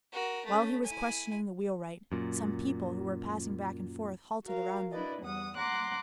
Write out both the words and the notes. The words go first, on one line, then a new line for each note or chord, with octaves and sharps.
While he was questioning the wheelwright, some people who were passing back and forth halted around them.
F#4 A#4
A3 C#4
E4 G#5
F#2 A#2
F#4 A#4 F5
D4 E4 B4 D5 D#5
E2 G3 F#5 D#6
F#5 A#5 C6 D6 F#6